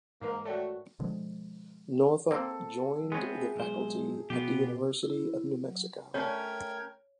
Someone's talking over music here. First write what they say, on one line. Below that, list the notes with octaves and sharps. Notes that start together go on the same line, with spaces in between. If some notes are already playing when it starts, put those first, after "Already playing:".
Northup joined the faculty at the University of New Mexico.
G#2 E3 A#3 D#4 A#4
A3 F#4 A4 C#5 D5 G5
B2 D3 F3 G#3
A#3 C4 A4
G#3 B3 C4 G#4 C#5 E5
B1 G#2 C5
B2 B3 F4 G4
E4
F#3
A3 C#4 A#4 C#5 G5 G#6